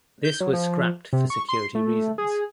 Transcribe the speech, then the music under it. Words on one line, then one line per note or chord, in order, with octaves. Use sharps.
This was scrapped for security reasons.
G6
F#3
F3
C3
C#6
C6
A3
G#4